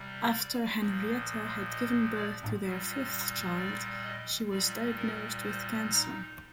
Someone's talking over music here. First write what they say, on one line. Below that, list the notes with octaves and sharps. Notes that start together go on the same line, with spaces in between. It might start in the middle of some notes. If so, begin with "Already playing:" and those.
After Henrietta had given birth to their fifth child she was diagnosed with cancer.
Already playing: C3 G3
D5
A#2 F3
D#5
D5
A#2 G3
D5
D#5
A#2 G3 D5
A#4
C5
D#4